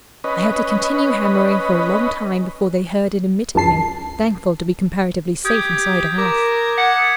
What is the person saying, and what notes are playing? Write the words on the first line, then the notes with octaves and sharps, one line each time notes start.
"I had to continue hammering for a long time before they heard and admitted me, thankful to be comparatively safe inside a house."
C#4 B4 D#5
C#2 F#2 A5 C7
G4 D#6 G6 G#6
A#4 D6
F#5 G#6 B6
D#6 G#6 A6